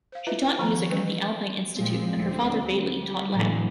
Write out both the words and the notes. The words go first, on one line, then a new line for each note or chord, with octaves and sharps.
She taught music at the Alpine Institute, and her father, Bailey, taught Latin.
C5 F5
E4 F4 B4 D#5 E5
D#3 F3 B3 A#5
E3 G3 C#4 B4
A#2 F3 G#3 C4
D2 C4
G3
A2 D3 E3 F#3 G#3 A#3